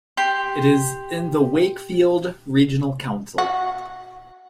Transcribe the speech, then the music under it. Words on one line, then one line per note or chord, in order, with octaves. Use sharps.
It is in the Wakefield Regional Council.
G4 C6
F#4